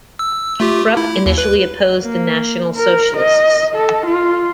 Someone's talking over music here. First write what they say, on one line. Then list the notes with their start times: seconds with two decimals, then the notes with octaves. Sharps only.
Krupp initially opposed the National Socialists.
0.19 E6
0.60 A3 F4 G4
0.97 E4
1.26 D#2
1.38 B4
2.01 A#3
2.76 A#4
3.17 D#5
3.75 A4
4.06 F4